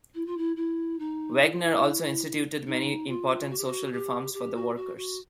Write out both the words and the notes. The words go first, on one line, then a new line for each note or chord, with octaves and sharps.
Wegner also instituted many important social reforms for the workers.
E4
F4
E4
E4
D#4
E4
F4
E4
D#4
F4
F#4
G4
F#4
G4
G4
F#4
F#4
F#4